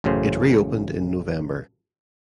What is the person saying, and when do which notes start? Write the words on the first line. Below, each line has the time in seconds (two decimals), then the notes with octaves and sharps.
It reopened in November.
0.04 A1 F#2 A2 C#3 C5